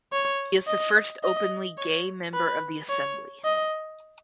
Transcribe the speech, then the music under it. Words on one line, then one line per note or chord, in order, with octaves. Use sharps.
He is the first openly gay member of the Assembly.
C#5
D#5
D#5
C#5
B4
C#5
D#5